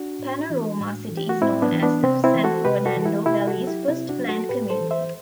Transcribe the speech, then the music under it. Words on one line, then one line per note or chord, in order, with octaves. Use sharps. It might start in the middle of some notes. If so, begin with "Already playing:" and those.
Panorama City is known as the San Fernando Valley's first planned community.
Already playing: D4 F#4
A2
E3
A2
E3
G4
F#4
A2 C4 E4
B3 D4
E3
B3 D4
C3 C4
C4 E4
E3
F#4 A4
C3 G4 B4
F#4 A4
E3
A4
E4 G4
C3 E4 G4
F#4 A4
F#3
E4 G4
C3 C4 E4
D4 F#4
F#3
F#4 A4
A2 G4 B4
A4 C5
E3
C5 E5